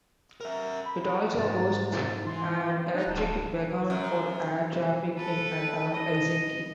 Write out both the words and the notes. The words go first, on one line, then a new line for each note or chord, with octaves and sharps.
It also hosts an electric beacon for air traffic in and around Helsinki.
A#4 E5
B5
G#2 A6
E3 C6
G5
D#4 F#6
D1 A5
F#2
A4 B4
D#5